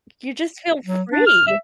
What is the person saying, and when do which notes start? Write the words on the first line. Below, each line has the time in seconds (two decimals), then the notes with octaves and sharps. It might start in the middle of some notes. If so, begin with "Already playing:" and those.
You just feel free.
0.86 F#3
1.12 D4
1.27 F6
1.47 E5